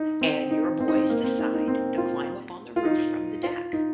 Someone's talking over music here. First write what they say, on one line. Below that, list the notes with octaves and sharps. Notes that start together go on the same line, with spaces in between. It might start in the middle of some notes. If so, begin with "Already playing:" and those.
And your boys decide to climb up on the roof from the deck,
Already playing: D#4
C4
D#4
C4
D#4
C4
A#3
C4
D#4
D#4
C4
F4
F4
D#4
F4
D#4